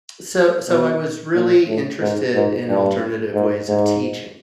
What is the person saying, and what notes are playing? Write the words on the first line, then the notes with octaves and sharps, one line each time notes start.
So so I was really interested in alternative ways of teaching.
B2
A#2
A2
G#2
G#2
G2
G#2
G#2